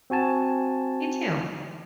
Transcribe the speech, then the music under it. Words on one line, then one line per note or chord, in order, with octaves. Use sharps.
Me too.
C4 F#4 G#5 A5